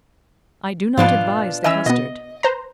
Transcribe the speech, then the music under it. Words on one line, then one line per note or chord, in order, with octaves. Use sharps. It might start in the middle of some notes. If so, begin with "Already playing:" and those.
I do not advise the custard.
G#2 B2 F3 D4 F4
E3 C#4 D#5 G#5 E6
B2 B3 D#5
B4 C5 A#5